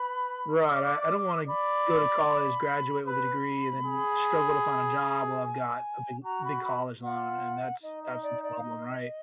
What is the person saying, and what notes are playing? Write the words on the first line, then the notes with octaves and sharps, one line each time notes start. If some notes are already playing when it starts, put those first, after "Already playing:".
Right, I I don't wanna go to college, graduate with a degree, and then struggle to find a job while I've got a big big college loan and that's that's the problem, right?
Already playing: B4 B5
D5 D6
D5 B5
D6
B5
B4 B5
G#4
G#5
F#4 A#5
B5
B5
F4 F#5
D#4 D#5
D#5
D5
D5
F5
D#5